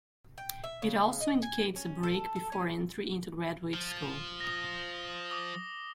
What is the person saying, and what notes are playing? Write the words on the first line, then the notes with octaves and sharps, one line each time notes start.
It also indicates a break before entry into graduate school.
G5
E5
C#3
D#5
G#5
C#4
A4
A4
C#4
F3
D#6 A#6
D6 D#6 G7